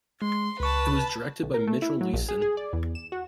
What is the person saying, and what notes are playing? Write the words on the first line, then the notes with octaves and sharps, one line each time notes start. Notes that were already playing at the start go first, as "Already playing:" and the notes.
It was directed by Mitchell Leisen.
G#3 C6
C#2 B4 A5 C#6
B1
A#4
A3
E4
F#3
A#1
G#4
G#4
D5
E2
E7
F#4